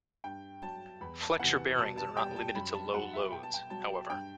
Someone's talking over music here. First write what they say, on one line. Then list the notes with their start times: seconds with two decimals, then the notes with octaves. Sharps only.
Flexure bearings are not limited to low loads, however.
0.24 G2 G5
0.62 F#3 A5
1.01 E2 B5
1.21 A5
1.39 C3 E3 F#5
1.78 B2 A5
1.97 A5
2.17 G3 G5
2.36 A5
2.55 F#2 B5
2.74 A5
2.94 F#3 F#5
3.13 E5
3.32 B2 G5
3.43 A5
3.54 G5
3.70 F#3 A5
4.09 G2 G5